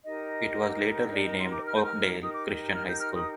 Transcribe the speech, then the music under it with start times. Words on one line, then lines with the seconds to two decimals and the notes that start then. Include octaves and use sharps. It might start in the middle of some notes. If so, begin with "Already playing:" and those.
It was later renamed Oakdale Christian High School.
0.04 D#4 G4 A#4 D#5
1.13 D5
1.26 D#5
1.40 C6
1.53 D6
1.66 F6
1.75 G6
1.84 F6
2.20 D#4 G4 A#4 D#6
2.34 D6
2.75 F6
2.88 G6
3.01 F6
3.16 D#6